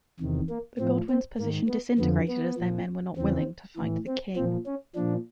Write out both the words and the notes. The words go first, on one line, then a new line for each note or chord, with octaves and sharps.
The Godwins' position disintegrated as their men were not willing to fight the king.
E2 C3 D#3
A#3
A2 F3 C4
C4
G#2 D#3 A#3
B3
F2 D3 F3 B3
B3
A#2 F3
E2 C#3 E3 C4
A2 E3
C4
A#2 F3 C4
C#4
A#2 F3 D4